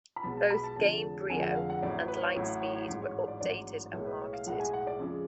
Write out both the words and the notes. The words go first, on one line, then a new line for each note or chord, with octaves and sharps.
Both Gamebryo and LightSpeed were updated and marketed.
B5
B1 B2 G#3 A5
A5
B5
A5
F1 F2 D3 G#3 A5
F1 F2 D3 G#3 G#5
F#5
F5
F#5
A1 A2 F#3 D5
B4
C#5
A1 A2 F#3
F#5
C#5
C#5
A1 G#2 F#3
C#5
D5
A1 G#2 F#3 D5
B1 A2 G#3 C#5
B4
C#5
F5
B1 A2 G#3 F#5
G#5
F#5
D5
F2 C#3 G#3